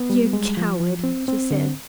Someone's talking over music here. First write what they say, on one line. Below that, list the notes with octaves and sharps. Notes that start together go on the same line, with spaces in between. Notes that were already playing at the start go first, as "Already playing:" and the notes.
"You coward!" she said.
Already playing: B3
G3
G#3
F3
F3
C4
C4
D3